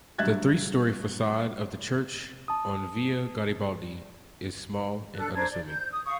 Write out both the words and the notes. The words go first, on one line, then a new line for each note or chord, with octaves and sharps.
The three story facade of the church on Via Garibaldi is small and unassuming.
G2 F#3 E5 F#6 G#6 A6
A5 D#6
D4 A4 F#6
D4 C5 A#5 G#6
D5
G6
D#6
F5 C#6 D#6